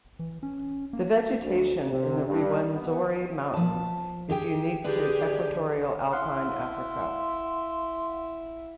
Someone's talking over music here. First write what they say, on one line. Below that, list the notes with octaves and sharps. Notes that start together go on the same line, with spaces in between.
The vegetation in the Rwenzori Mountains is unique to equatorial alpine Africa.
E3
C#4
A#3
D2
C3
G2
B3
F3 A5
G4 G#4 G5
D3 G4 G#4 B4 D5
E4 F5 F#5 C6